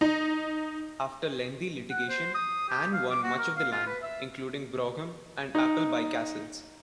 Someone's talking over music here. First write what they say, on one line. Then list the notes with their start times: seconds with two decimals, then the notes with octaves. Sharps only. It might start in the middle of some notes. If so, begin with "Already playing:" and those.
After lengthy litigation Anne won much of the land, including Brougham and Appleby castles.
0.01 D#4
1.91 F#5
2.09 C5
2.34 D#6
2.69 G4
2.93 F5
3.10 D6
3.23 F#4
3.38 A#4
3.56 F5
3.72 F4
3.87 B4
4.02 E5
5.55 D#4